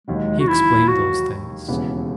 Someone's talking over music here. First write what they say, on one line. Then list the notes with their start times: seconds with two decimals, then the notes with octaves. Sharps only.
He explained those things.
0.07 E1 D#2 D#3 F#3 G#3
0.39 F#4
0.48 E4
0.87 F#4
1.68 E1 D#2 C#3 E3 B3